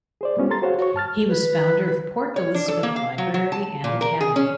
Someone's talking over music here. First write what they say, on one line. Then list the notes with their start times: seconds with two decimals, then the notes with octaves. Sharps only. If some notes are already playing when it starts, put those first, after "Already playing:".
He was founder of Port Elizabeth Library and Academy.
0.21 G#4 C5 D5
0.37 G3 G#3 B3 C#4 F4 G4
0.50 A4 A#5 C6 A6
0.62 F#4 G#4 C5 C#5 F5 F#5
0.78 F#4 C#5 C#6
0.94 G2 A5 F6 A6
1.28 B4
2.36 C#5
2.54 D4
2.68 A4
2.83 A#3
2.96 F5
3.18 F#3
3.34 F#3
3.52 A5
3.84 A#2
4.01 A#4
4.21 G#4
4.36 C#4